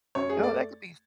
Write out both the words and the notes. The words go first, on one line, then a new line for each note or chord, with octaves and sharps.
No, that could be f
F#2 C#5
G#4
A3
D5